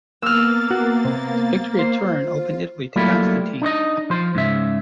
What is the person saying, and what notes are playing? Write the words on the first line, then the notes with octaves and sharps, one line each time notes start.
The victory at Turin opened Italy to Constantine.
A#3 B3 E6 F6 A6
F#4
C3
C5
F4
F#3 G3 A3 A#3 E4 F4
D4 D#4 C#5 D#5
F3 C5
G#2 C#3 E5